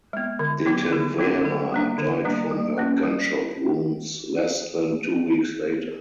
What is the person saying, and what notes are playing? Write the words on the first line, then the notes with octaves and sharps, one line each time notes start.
De Tavera died from her gunshot wounds less than two weeks later.
G#3 B3
D3
F#3 B3 D#4
D3 G#4
F#3 B3 D#4
D3 A4
G3 A#3 D4
D3
G3 A#3 D4
G3
A#3 C#4
G3